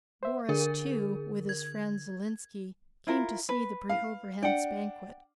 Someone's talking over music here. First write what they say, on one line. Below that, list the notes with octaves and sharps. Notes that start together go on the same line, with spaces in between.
Boris, too, with his friend Zhilinski, came to see the Preobrazhensk banquet.
C5 E5
D3 G#4 A#4
G#6
E4 F4 A#4
B4
F5
D4 F#5 G5